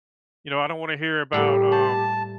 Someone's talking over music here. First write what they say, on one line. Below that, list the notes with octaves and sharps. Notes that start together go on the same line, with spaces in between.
you know, I don't wanna hear about, um"
A2 G3 A#3 G4
C5 A5